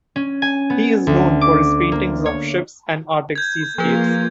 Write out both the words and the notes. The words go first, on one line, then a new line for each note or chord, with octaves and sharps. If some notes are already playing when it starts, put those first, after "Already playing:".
He is known for his paintings of ships and Arctic seascapes.
C#4
G#5
B3
D2
D6
A#3
C#5
G6 G#6
F3 A#3 F4 G#4 B4